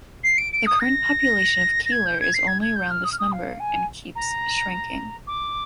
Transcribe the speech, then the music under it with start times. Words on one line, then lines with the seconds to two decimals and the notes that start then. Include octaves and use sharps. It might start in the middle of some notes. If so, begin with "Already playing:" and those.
The current population of Keeler is only around this number and keeps shrinking.
0.24 C7
0.38 D7
0.53 D7
0.66 D#6
0.80 A#6
1.86 A#6
1.92 G#6
2.06 G6
2.21 G#6
2.34 C7
2.48 G#6
2.62 G#6
2.76 G6
2.91 F6
3.04 D#6
3.12 F6
3.19 D#6
3.32 F5
3.60 G#5
4.16 A#5
5.28 D6